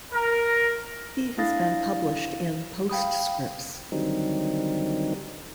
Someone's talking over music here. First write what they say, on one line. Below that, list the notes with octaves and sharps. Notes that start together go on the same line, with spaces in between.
He has been published in "Postscripts".
A#4
D4 E4 F5 D#6 A6 A#6
F5 G5 B5 D#6
D3 D#3 F#3 G3 C4 D#4